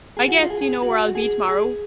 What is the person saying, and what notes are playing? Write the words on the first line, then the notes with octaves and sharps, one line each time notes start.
I guess you know where I'll be tomorrow!
G#4
F#4
F4
G#4
G#4
F#4
G#4
G#4